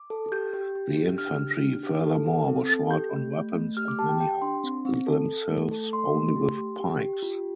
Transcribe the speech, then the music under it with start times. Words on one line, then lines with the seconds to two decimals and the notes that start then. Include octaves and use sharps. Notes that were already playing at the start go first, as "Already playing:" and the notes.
The infantry, furthermore, was short on weapons and many armed themselves only with pikes.
Already playing: D6
0.10 A4
0.32 G4 G6
0.54 G4
0.75 G4
0.97 G4
1.18 D4 F6
1.40 G4
1.61 D4
1.83 G4
2.05 A4
2.26 A4
2.48 C4
2.69 A4
2.91 G4 G6
3.12 A3
3.34 A3
3.56 A3
3.77 G4 F6
3.88 D6
3.99 G4 A5
4.09 G5
4.20 G4 G5
4.42 D4 C6
4.64 C4
4.85 C4
5.07 A4
5.28 A4
5.50 A3
5.71 A4
5.93 A3 C6
6.15 A3
6.36 G4
6.58 G4
6.79 G4
7.00 G4
7.23 F4